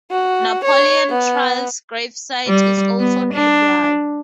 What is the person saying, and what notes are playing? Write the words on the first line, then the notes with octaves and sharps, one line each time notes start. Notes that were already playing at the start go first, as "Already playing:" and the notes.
Napoleon Trails Gravesite is also nearby.
F#4
C#5
B3
G3
B3
D4